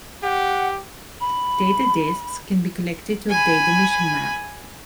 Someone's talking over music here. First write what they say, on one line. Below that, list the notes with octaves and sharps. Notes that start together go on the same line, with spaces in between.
Data Discs can be collected to update the mission map.
G4 F#5
B5
G#5 B5